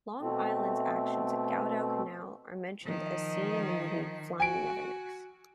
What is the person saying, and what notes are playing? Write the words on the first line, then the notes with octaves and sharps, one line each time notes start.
"Long Island"s actions at Guadalcanal are mentioned and seen in the movie "Flying Leathernecks".
B2 A3 C4
D#3 F3
F#4 G#5 D7